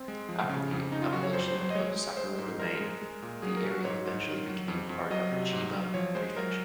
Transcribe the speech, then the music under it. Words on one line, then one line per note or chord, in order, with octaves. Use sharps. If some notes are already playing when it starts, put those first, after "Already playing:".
After the abolition of Sakura Domain, the area eventually became part of Chiba Prefecture.
Already playing: C4
G#3
F3
C#3
F2
C#3 D#4
F4
F#3 F#4
C#5
F2 C5
C5
F#3
C5
D#5
G#3 C#5
G#3
G#3 C5
G#2
G#3 A#4
G#3
G#3
A#2
F#3 G#4
A#4
F#3
F#4
G#2 C#5
G#2
D#3
F#3
F2
F2
F#3 D#5
C3
G#2
F#3
F3 C#5
G#3 C5
F#3 A#4